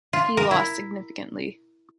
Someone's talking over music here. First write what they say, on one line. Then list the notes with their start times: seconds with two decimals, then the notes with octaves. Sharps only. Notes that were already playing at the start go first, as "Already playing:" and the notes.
He lost significantly.
0.13 F4
0.37 A#4
0.51 E4